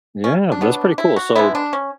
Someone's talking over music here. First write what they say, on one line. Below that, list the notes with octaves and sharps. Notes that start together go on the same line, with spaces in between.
Yeah, that's pretty cool. So
C#4
D4
B2 F#3 B3
E4
F#4
D3 G#3 B3 E4
D4
C#4